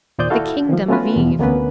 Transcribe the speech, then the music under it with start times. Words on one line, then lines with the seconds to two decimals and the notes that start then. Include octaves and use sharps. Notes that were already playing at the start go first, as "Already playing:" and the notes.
The kingdom of Eve.
0.19 D#2 A#2 C5 D5 D#6 G6
0.30 E4 F#4 A4 F5
0.69 D#3 F3
0.88 A3 B3 C#4 F4 F#4 B4
1.16 E2 B2 E3
1.39 D2 A#3 B3 C#4 B4